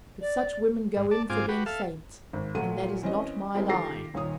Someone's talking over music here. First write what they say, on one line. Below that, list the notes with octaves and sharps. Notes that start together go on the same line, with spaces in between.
But such women go in for being saints, and that is not my line.
D5
G#2
D5 A5
G#2 C4 F4 G#5 D6
F#4 G4 B4
A4 E5 F5
G#1
A#2 F3 F#3 A3 F#5 D#7
E3 C4 C#4 B4 D#5
G3 G#3 C4 E4 A#4
D#3 F4 G4 A4 A#6 C7
D#1 A#2 D#3 C#5 D#6